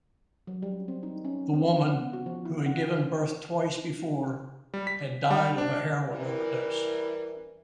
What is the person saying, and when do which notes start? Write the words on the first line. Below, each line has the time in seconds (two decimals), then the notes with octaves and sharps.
The woman, who had given birth twice before, had died of a heroin overdose.
0.47 F#3
0.62 G3
0.88 C4
1.03 D#4
1.25 C#4
1.53 C4
1.85 F#5
1.98 B3
2.13 F#4
2.26 F3
2.45 E4
2.66 F#5
4.74 G3
4.87 B6
5.31 G3
5.58 D4
6.08 E3 G3 E4 A#4